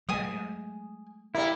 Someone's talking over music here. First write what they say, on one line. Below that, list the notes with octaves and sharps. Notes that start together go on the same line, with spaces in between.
Yeah, yeah.
F#3 G#3 A3 G#5 D#6
G3 A#3 E4